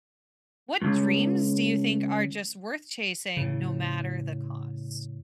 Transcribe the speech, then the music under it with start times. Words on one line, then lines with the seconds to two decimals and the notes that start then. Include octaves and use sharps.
What dreams do you think are just worth chasing, no matter the cost?
0.82 C#2 G2
3.37 A2 C#3